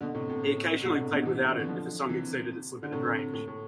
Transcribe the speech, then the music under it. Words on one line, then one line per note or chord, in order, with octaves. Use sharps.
He occasionally played without it, if a song exceeded its limited range.
B2 D3
A2 C3
A2
A2
C3
G#2 B2
D3
A2 C3
B2 D3
C3 E3
D3
E3
D3 F3
C3 E3
D3
A2 C3
A2
A2